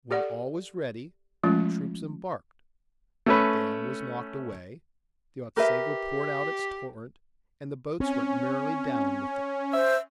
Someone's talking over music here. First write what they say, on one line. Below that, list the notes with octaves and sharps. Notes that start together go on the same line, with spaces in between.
When all was ready the troops embarked, the damn was knocked away, the Otsego poured out its torrent, and the boats went merrily down with the current.
G4 A4 D5 F#5
F3 G#3 A3 C#4 F4
A3 C#4 B4
G4 A#4 B4 E5
C4 C#4
C5 E5